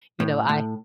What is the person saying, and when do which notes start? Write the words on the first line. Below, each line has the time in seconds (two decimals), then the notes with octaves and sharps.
you know, I
0.20 A2
0.49 A2